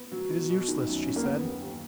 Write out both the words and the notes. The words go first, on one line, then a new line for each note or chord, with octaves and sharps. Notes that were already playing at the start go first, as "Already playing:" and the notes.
"It is useless," she said.
Already playing: B3
F#3
B2
B2
D#3
F#2
C#4
A#3
D#3 B3
D#2
D#2